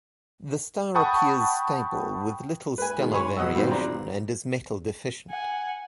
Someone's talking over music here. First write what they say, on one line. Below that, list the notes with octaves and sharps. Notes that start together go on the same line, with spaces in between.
The star appears stable, with little stellar variation, and is metal-deficient.
F#5 G5 A5 B5 C#6 D#6
B4 G#5
B2 D#3 G#3
C#5 G#5 B5 C6
B2 F#3 D#5 F#5 E6
G2 B2 D#3 C4
A#1 F#3 C4 D5 A#5
F#5 G#5